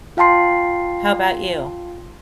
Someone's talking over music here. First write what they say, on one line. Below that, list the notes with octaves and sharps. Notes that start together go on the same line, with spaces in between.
How about you?
F4 F5 G5 A5 C6 C7